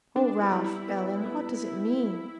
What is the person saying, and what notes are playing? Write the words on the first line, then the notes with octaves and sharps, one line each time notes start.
"Oh, Ralph--Ellen--what does it mean?"
B3 D4
E4
G3
E4
B3
B3